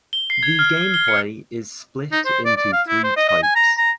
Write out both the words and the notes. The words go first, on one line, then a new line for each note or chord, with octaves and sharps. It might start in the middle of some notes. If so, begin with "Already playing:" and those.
The gameplay is split into three types.
G7
C7
G#6
F6
G7
G7
C#7
D#4
C5
D5
D5
F5
E4
C5
D#5
D#5
G#5
A#5
A#5